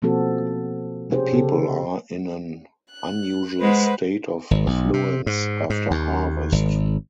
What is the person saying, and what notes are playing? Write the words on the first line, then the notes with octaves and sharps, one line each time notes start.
The people are in an unusual state of affluence after harvest.
B2 F3 A#3 C4 F#4 A4
C3 C#4 G4 G#4 C5
C#3 G4 A4
F#6
G#3 B4 C5 F#5
G#1
B1
C3
G#2
G#2
D#2
G#1